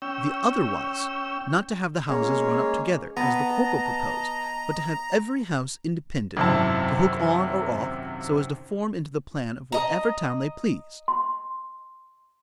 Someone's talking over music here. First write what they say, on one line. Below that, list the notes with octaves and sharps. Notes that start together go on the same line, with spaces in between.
The other was, not to have the houses run up together, as the corporal proposed, but to have every house independent, to hook on, or off, so as to form into the plan of whatever town they pleased.
C#4 G5 E6
G#3 A#3 C#4 C#5
B3 D#5 A5 A#5
G#1 F#2 C3 E4 A5
D#5 A#5
C6